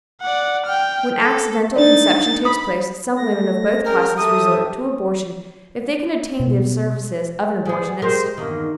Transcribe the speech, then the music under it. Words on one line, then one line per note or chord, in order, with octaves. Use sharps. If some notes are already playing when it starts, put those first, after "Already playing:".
When accidental conception takes place, some women of both classes resort to abortion if they can obtain the services of an abortionist.
D5 F#5
G5 F6
A4
D4 D#4 D5 A6
B5 D#6
A3 A#6
C#4 G#4 A#4 G5
G4 A4 E5 D#6
B2
G3 B3 G#4
G#3 G4 A#4 C5
E2 G2 D#3 A#3